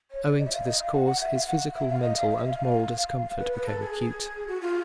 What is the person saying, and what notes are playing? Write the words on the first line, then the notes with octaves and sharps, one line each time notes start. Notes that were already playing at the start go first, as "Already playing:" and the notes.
Owing to this cause his physical, mental, and moral discomfort became acute.
C#5
D5
D#5
E5
F5
D#5
F5
F#5
F#5
E5
F5
F#5
E5
F5
D#5
F5
F5
E5
F5
B4
B4
A4
G#4
F#4
F4